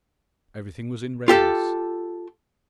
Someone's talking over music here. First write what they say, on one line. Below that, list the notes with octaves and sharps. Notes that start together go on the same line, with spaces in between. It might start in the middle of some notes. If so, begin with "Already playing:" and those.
Everything was in readiness.
F4 G4 A4